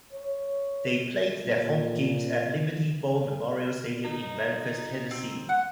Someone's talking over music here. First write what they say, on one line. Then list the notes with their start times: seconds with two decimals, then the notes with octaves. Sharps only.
They played their home games at Liberty Bowl Memorial Stadium in Memphis, Tennessee.
0.13 C#5
1.44 A#2
4.05 D#4
5.11 C4
5.49 F#5